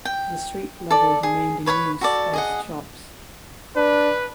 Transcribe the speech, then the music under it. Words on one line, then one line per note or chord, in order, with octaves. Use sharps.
The street level remained in use as shops.
G5
A4 D5
G#4
B4 C#5 G#5 B5
F#4 A4 D5
G#4 D#5 F#5
D4 B4